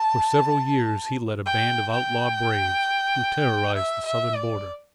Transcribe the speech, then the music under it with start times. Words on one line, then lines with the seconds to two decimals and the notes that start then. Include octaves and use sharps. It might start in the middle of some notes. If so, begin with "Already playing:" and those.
For several years he led a band of outlaw braves, who terrorized the Southern border.
Already playing: A5
1.46 G5
1.92 G5
3.75 E5
4.05 E5
4.36 D5